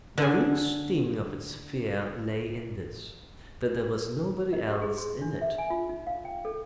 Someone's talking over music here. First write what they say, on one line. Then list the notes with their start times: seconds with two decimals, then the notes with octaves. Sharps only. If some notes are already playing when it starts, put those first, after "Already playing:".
The real sting of its fear lay in this--that there was nobody else in it.
0.18 D3 G#5
4.53 D#5
4.70 G4
4.82 G#4
4.98 C6
5.22 D4
5.41 E5
5.58 G#5
5.70 F4
5.89 D#4
6.07 F5
6.25 G5
6.45 A4